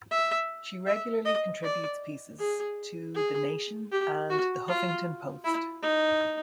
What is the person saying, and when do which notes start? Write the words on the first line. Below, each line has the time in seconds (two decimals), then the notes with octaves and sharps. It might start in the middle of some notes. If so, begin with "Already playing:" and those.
She regularly contributes pieces to "The Nation" and "The Huffington Post".
0.11 E5
0.87 E5
1.25 D#5
1.63 D5
2.39 G#4
3.15 G#4
3.92 G4
4.30 F#4
4.68 F4
5.44 E4
5.82 D#4